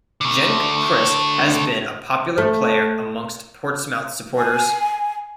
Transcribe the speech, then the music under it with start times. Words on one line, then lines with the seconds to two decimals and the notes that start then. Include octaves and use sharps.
Genk, Priske has been a popular player amongst Portsmouth supporters.
0.21 D3 A3
2.38 A3
4.38 G#5